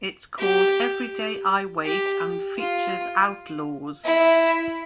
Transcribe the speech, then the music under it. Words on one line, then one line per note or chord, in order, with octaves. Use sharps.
It's called "Everyday I Wait" and features Outlawz.
G4
G4
F4
E4